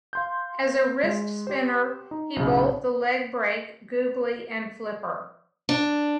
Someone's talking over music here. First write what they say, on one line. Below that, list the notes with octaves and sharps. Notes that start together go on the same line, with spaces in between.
As a wrist-spinner, he bowled the legbreak, googly and flipper.
F5 C6 G6
G#3
G4 C5
D#4
B1 A2 C#3
D4